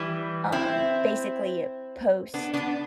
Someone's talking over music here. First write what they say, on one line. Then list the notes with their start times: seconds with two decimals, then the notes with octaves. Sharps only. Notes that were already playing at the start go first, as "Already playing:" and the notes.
uh, basically post,
Already playing: E3 G3
0.52 C4 E4
2.34 B3 D4
2.54 B3 D4